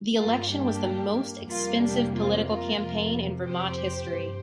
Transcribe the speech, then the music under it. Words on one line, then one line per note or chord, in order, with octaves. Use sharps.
The election was the most expensive political campaign in Vermont history.
G2 G3 A#3 F4 A#4
D4 G4
F2 C3 G3 A#3 F4 A#4
D4 G4
C4 F4
F4 A#4
F2 C3 F3
G4 C5
G2